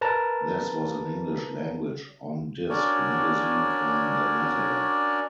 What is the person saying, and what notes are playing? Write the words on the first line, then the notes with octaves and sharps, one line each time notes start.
This was an English-language on-disk magazine from the Netherlands.
A#4 B4 A5 A#5
C#4 D4 F#4 A#4 C#5 D5